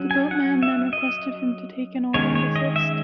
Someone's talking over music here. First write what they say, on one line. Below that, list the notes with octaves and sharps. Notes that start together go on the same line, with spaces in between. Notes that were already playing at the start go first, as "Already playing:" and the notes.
The boatman then requested him to take an oar and assist.
Already playing: F#3 C#4
G#5
F#5
E5
D#5
D#3 G#3 C#4 C#5
C#5
D#5
E5